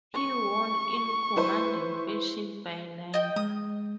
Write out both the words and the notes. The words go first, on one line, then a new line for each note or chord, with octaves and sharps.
He won in commanding fashion by lengths.
C#6
E4 B4 C5
D#5 G5
G#3 D#6